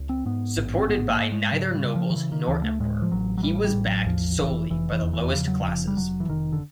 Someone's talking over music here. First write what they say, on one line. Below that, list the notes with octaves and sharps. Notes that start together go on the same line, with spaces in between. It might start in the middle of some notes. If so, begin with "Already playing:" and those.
Supported by neither nobles nor emperor, he was backed solely by the lowest classes.
Already playing: C#2
C4
G#2 B3
A1
C4
G#2 B3
A#3
G#2
G#3
C#3 F#3
G3
C#3
F3
D#3
C#3 E3
D#3
D2 E3
A3
A2 G#3
F3
A1 F#3
F#3
A2 G3
G3
A1
F#3
E2 F3
F1 E3
F1 E3
E3
E2
E3
C#3 F3
F#3
F1 F3
G3
F1 F#3
E3
F1 D#3
D3